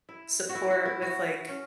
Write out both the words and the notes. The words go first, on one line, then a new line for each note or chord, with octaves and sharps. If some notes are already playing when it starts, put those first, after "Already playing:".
support with, like
E4
F#4
E4
F#4
E4
F#4
C#4